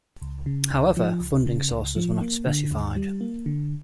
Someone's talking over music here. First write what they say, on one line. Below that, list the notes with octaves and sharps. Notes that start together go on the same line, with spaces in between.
However, funding sources were not specified.
C#2
C#3
C#2
F3
C#2
C#3
C#2
F3
A#3
D3
D#2
G3
A#3
D3